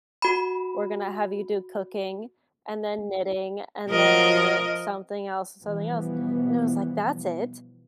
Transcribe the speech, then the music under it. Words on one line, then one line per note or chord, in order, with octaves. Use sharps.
we're gonna have you do cooking and then knitting and then something else and something else." And I was like, "That's it?
F#4 B5
F3 A#4 D#5
B2 E3 F3 G3 B3